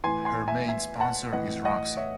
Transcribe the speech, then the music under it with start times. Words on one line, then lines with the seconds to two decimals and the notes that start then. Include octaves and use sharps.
Her main sponsor is Roxy.
0.04 A2 E3 G#5 C6
0.25 G#5 C6
0.48 E5 G#5
0.68 E5 G#5
1.00 F#5 A5
1.32 A2 E3 D#5 F#5
1.65 D#5 F#5
1.97 C#5 E5